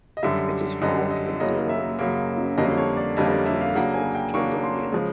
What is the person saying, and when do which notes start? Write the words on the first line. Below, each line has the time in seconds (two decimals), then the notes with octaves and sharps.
It is found in the Nguru Mountains of Tanzania.
0.17 D#5
0.23 F#2 D3 G3 E5
0.82 F#2 D3 G3 D#5
1.10 D#5
1.40 F#2 C#3 F#3 A#3 D#5
1.69 E5
1.99 F#2 C#3 F#3 A#3
2.58 F2 D3 G3 A#3 C#4 D#5
2.78 C#5
2.97 D5
3.17 F2 D3 G3 A#3 C#4 D#5
3.31 D5
3.46 E5
3.61 F5
3.75 C#3 F#3 A#3 D4 F#5
3.94 G#5
4.15 G5
4.34 C#3 F#3 A#3 D4 C#6
4.64 C6
4.92 C#3 F3 G#3